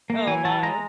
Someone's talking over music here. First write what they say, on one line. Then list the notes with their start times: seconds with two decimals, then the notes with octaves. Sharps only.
Oh my.
0.10 A#3
0.27 E3 G#5
0.45 E3 A5
0.63 G#3 A#5